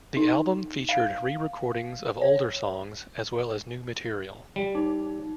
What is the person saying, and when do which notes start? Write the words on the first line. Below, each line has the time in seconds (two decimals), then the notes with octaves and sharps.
The album featured re-recordings of older songs as well as new material.
0.17 D#4
0.89 F5
2.22 C#5
4.56 G3
4.75 D#4